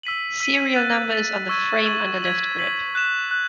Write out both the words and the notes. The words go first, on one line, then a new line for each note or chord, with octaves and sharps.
Serial number is on the frame under left grip.
E6 B6 D#7 F#7
E6 B6 D#7 F#7
F#6 A6 D#7
F#6 A6 D#7
C#6 E6 G#6 D#7 F#7
C#6 E6 G#6 D#7 F#7
G#6 B6 D#7 F#7
G#6 B6 D#7 F#7
F#6 B6 E7
F#6